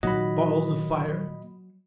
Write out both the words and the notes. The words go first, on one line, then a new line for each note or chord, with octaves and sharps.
Balls of fire?
A#2 D#3 F#3 D#5 B5